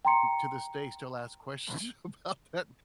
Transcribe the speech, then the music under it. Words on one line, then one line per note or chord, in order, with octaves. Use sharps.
to this day, still ask questions about that
G5 A#5 C6 C#7